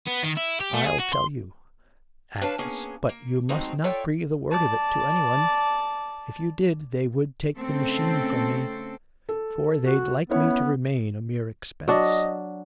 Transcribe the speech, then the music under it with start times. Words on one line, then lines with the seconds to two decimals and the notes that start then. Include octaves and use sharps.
I'll tell you, Agnes, but you must not breathe a word of it to any one, if you did, they would take the machine from me: for they'd like me to remain a mere expense.
0.07 B3
0.23 D#3
0.37 E4
0.61 G4
0.74 A3
0.85 G#4
0.99 F#4
1.13 C6
2.41 D4 B4 C#5 F5 A5
2.59 A#3 B3 C#4 G#4
3.09 A#3
3.49 F3 F#3 G#3 A3 C4 D#4
3.84 F4 A4 C#5 D5 E5 G5
4.51 D5 A5
7.55 C#3 A3 C4 A4 C5
9.29 A4
9.85 F#4
10.30 B3 C#4 E4 C#5
11.88 F#3 D4 D#5